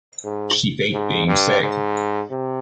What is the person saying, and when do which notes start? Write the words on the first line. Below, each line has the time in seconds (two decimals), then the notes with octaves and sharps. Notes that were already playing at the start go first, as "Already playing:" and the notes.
She faked being sick.
0.24 G#2
0.93 G#2
1.27 G2
1.62 G#2
2.30 C3